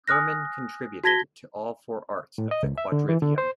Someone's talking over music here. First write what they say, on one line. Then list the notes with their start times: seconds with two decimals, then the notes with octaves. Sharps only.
Hermann contributed to all four arts of the quadrivium.
0.08 G#5 D#6 F6 F#6 A#6
1.04 F#4 A5 G#6 A#6 B6 G7
2.38 A2
2.51 D#5
2.63 C#2
2.78 E5
2.92 D3
3.09 E3
3.22 D3
3.38 C5